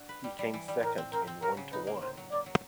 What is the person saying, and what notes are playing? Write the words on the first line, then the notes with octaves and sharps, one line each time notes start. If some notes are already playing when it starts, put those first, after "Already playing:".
He came second in One to One!
Already playing: D4 F#4
B4
G3
G3
E3
G3
A2 A#4
C4
C4 A#4
C4
F#3 A#4
C#3
D#4 B4
A#3
A2 C5
F#3
A#3 D5
F#3